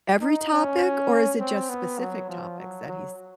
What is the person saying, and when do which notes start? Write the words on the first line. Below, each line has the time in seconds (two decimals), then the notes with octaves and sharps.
every topic, or is it, just, specific topics that he's
0.21 D#4
0.52 C#4
1.40 C4
1.70 B3
1.99 F#3
2.30 F3
2.59 F#3
2.88 F#3